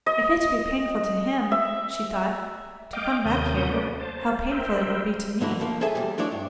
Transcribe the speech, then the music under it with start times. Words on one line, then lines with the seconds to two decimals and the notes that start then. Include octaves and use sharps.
'If it be painful to him,' she thought, 'to come back here, how painful it will be to me!
0.06 D#5
1.52 E5
2.93 D#5 F5 G5 D6
3.25 D#2 C3 C#4 A#4 D#6 G6
3.69 A3 A#3 C#4 B4 D5
4.00 C5 A5
4.51 A#4 C5 E5 G5
5.41 G2 D3 E3 G#3 A#3 B5
5.59 B2 D3 F3 A#3
5.81 G#4 A4 C#5 E5 G#5 A5
5.95 E2 F#3 G3
6.18 F3 G#3 D4 E4 C#5 D5
6.32 G2